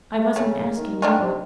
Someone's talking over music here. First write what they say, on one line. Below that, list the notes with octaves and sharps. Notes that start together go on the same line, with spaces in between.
"I wasn't asking you."
A3
C#3 A3
D#3
D3 D#3 D4 F4
C3